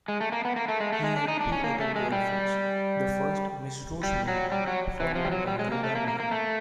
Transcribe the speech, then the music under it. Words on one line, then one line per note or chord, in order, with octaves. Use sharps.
He had two other girlfriends; the first Miss Rosemary followed by Hilda May.
G#3
A3
A#3
B3
A#3
A3
G#3
A3
G#3
D4
D#4
D4
C#4
A#3
A3
G#3
G3
G3
F#3
G3
F#3
E3
F3
G3
F#3
G3
G#3
A#3
A3
A#3
A#3
A#3
A3